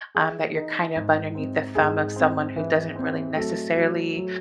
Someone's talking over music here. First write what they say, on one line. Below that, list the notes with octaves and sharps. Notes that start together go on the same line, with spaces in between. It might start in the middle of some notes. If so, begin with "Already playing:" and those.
um, that you're kind of underneath the thumb of someone who doesn't really, necessarily,
E3 G#4
D#4
G#2
C4
G#2 G#4
C4
E3
C4
F#3 A3 A4
F#3
F#3